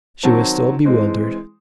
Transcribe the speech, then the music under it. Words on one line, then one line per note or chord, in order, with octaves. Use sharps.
She was still bewildered.
D#3 F#3 C4 A5
E3 G#3 C4